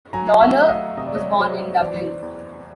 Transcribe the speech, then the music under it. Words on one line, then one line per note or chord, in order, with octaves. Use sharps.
Lawlor was born in Dublin.
F#3 G#5 A#5
E5 F#5
A3
D#5 F5
C3 D#5
D5
C#5 D#5
F#3 C5 D5
E3 C5 D5
E2